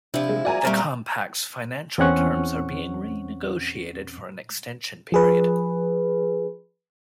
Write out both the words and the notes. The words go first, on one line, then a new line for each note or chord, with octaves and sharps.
The Compact's financial terms are being renegotiated for an extension period.
C3 F3 D4 E4 G4
G#3
F#4 D5 G#5 A#5
A#2 G3 A3 C4 A#5 F6
E2 C4 C#4 F#5 C#6
F3 G#4 B4